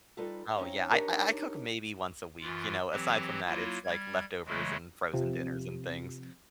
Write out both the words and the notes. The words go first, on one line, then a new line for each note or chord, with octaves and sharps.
Oh, yeah. I I I cook maybe once a week. You know? Aside from that, it's, like, leftovers and frozen dinners and things.
G3 D#4 F4 A4 B4
C4 C#4 D#4 C#5 F5
D4 D#4 G4 A#4 C#5 D#5
F#2 E3 F4
E3 F#3 C4 G4
F#3 A#3 E4 F4
G3 G#6
C#3 E3 F#3 G#3 A3
C3 F3